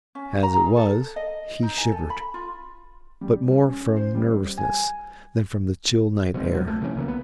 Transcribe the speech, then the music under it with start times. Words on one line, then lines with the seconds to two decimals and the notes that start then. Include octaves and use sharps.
As it was, he shivered, but more from nervousness than from the chill night air.
0.15 C#4
0.43 A#5
0.56 G#4
0.77 A4
1.16 D#5
1.63 D#4
1.78 G#5
1.92 A4
2.10 B5
2.34 F4
3.21 G3
3.51 C#4
3.96 C5
4.15 G3
4.58 G#5
6.34 B2 F3 G#3 C4
6.51 F2 F#3
6.64 C#2 A3
6.82 C3 E3 C#4
6.95 B1 C#3 A#3
7.08 B3